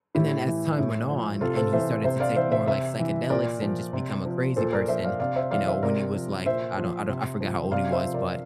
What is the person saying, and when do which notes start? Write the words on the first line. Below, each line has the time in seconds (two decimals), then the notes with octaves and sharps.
And then as time went on, and he started to take more, like, psychedelics, and just become a crazy person, you know, when he was, like I don't I don't I forgot how old he was, but
0.15 A2 E4 G4
0.47 E3
0.78 A2
1.10 F3
1.41 C3 F4 A4
1.57 A4 C5
1.73 E3 C5 E5
2.04 C3 C5 E5
2.20 D5 F5
2.36 E3 C5 E5
2.51 C5 E5
2.67 C3 C5 E5
2.99 E3
3.30 A#2 A#4 D5
3.61 F3
3.93 C3
4.25 F3
4.56 A#2 A4 C5
4.72 A#4 D5
4.88 F3 C5 E5
5.04 D5 F5
5.20 C3 D5 F5
5.36 C5 E5
5.51 E3 D5 F5
5.67 C5 E5
5.83 C3 A#4 D5
6.14 F3
6.46 A#2 C5 E5
6.78 F3
7.09 C3
7.40 F3
7.72 C3 D5 F5
7.92 C5 E5
8.04 F3
8.14 A#4 D5